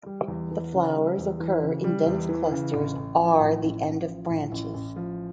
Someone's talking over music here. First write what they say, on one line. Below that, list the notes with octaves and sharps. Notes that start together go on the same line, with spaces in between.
The flowers occur in dense clusters are the end of branches.
G3
E2
E3
C#3
G3
E2
E3
C#3
G3
E2
E3
C#3
A1
A1
F3
A2
A1
A1
F3
A2
A1
A1
F3